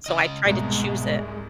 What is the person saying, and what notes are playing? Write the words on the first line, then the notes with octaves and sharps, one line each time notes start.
so, I try to choose it.
C#3 D#5
C2 G#2 B2 G#3